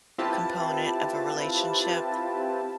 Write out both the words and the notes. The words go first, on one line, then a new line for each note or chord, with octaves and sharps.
component of a relationship,
C4 E4 F4 G4 B4 A5